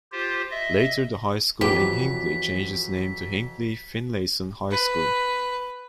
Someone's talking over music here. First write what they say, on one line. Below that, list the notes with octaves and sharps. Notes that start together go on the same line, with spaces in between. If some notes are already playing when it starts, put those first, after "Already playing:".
Later, the high school in Hinckley changed its name to Hinckley-Finlayson High School.
F4 G4 C5
D#5 E5
F2 E3 F#3 F4 G4 B4 B6
B4